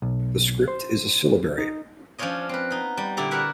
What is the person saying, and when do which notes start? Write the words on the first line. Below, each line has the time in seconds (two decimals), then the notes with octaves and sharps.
The script is a syllabary.
0.02 B1
0.68 C5
1.58 D#4
2.18 F3 C#4 D4 F4 C#5 D#5
2.49 C4 B4
2.70 B3 D#4
2.97 G3
3.17 A#2 D3 E4 G4 D5 A#5
3.31 F#4 A#4 B4 E5 F#5 A#5